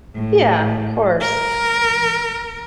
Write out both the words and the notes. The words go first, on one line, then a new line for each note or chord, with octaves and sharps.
Yeah, of course.
A2
A#4